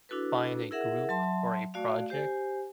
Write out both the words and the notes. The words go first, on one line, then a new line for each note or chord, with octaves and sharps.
find a group for a project,
D4 E4 F#4 A4 B4
E4 G#4 A#4 E5 F#5
F#3 E5 A5 C6
A3 F#4 D5 F5
G4 C5 G#5